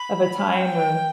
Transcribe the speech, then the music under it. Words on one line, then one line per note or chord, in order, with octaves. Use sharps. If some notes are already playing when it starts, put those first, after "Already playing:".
of a time or
Already playing: B5
B5
G5